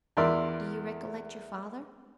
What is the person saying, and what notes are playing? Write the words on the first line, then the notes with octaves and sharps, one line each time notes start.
"Do you recollect your father?"
E2 A#4 D5 E5 C6